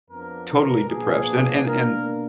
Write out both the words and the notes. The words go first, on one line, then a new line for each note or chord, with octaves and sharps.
totally depressed, and and and
F2 F3 B3 D4 A#4
A#4
A#2 F3 B3 D4 G#4
B2 A#3 D4 A#4